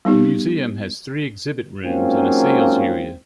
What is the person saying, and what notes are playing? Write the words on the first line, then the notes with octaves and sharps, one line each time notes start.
The museum has three exhibit rooms and a sales area.
G3 B3 D#4 G4
G#2 F#3 A#3 C4 C#4 F4